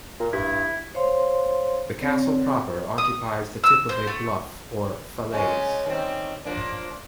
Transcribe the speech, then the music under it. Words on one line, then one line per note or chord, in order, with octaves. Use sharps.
The castle proper occupies the tip of a bluff or "falaise".
A#2
G2 E4
C5 C#5 F5 C6
C4 C#5 D5
D#6
E6
C5
A3
C#3 G#3 C#4
D#3 G3 C4
F3 A#3 D4